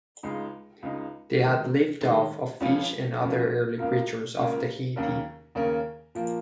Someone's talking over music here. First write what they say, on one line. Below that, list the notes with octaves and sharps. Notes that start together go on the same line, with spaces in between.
They had lived off of fish and other early creatures of Tahiti.
C#2 C#3 G#3 D#4
C#2 C#3 G#3 D#4
D#3 G#3 D#4
D#3 G#3 D#4
C#2 C#3 F3 C#4 F4
C#2 C#3 F3 C#4 F4
C#2 C#3 A#3 F4 A#4
C#2 C#3 A#3 F4 A#4
D#2 C#3 A#3 C#4 A#4
D#2 C#3 A#3 C#4 A#4
A#2 F3 A#3